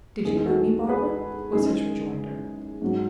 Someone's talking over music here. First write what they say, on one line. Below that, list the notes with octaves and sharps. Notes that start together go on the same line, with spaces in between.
"Did you know me, Barbara?" was his rejoinder.
E2 D#3 G#3 G#4
F#4 A4
G#4 B4
F#2 D#3 G#3 G#4
G#2 F#3